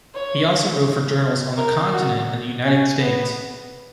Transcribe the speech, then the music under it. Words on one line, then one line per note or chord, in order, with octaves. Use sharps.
He also wrote for journals on the continent and the United States.
C#5
A#4
F#4
C#4
B3